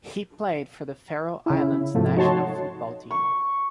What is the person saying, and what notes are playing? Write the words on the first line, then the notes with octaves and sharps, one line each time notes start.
He played for the Faroe Islands national football team.
C#3 E4
G#2 C3 F3 F#3 A3
D#4 F#4 C#5 A5 C6
C#6